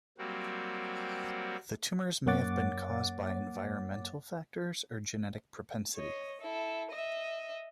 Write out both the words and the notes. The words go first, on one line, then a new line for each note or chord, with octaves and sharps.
The tumors may have been caused by environmental factors or genetic propensity.
F#3 G3 A#3 C4 F#4
F#2 A#3 C#5 F#5 D6 A6
C#5 D#5
E4 A4
D#5 E5